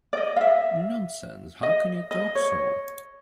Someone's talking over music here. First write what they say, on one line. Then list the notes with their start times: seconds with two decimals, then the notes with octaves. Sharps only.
Nonsense, how can you talk so!
0.13 D5
0.17 D#5
0.36 F5
0.41 E5
1.63 D#5
2.11 D#5
2.35 C#5